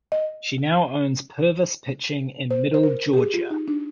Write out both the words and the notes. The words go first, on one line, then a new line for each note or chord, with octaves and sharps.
She now owns Purvis Pitching in Middle Georgia.
D#5
C5
C5
A#4
G4
G#4
F4
D#4
D4